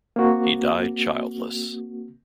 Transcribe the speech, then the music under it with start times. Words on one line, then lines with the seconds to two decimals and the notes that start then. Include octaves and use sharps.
He died childless.
0.16 A#3 C4 F#4